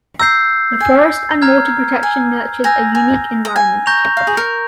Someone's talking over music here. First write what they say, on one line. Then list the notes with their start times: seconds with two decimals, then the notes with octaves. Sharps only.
The forest and water protection nurtures a unique environment.
0.19 A#5 E6 G6 C7
0.80 G#5
1.42 A#5 F6 G#6
2.03 G#5
2.64 G#5 E6 G6 A#6 F7
2.95 G#5
3.45 A#5
3.56 G#5
3.86 A#5 C#6 G6 A#6 F7
4.17 F5
4.27 G#4
4.37 A#4